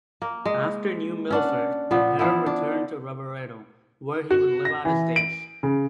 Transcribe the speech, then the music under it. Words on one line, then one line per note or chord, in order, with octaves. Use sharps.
After New Milford, Depero returned to Rovereto, where he would live out his days.
A#3
G#3
C#4 D4 F#5
A#2 F3 B3
E3 F3 B3 E4
D4
F#4
A#6
E3
D7
C#3